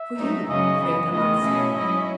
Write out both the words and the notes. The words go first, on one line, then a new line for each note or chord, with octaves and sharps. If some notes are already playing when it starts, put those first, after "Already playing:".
"For you, Fray Damaso."
Already playing: E5
G#2 F#3 A3 D#4
F#2 C#3 F#3 C#4 D#5
F#2 E3 B3 D#5
E2 D#3 A3 D#5
B2 A3 C#4 E4
G#2 F#3 C#4 E4 D#5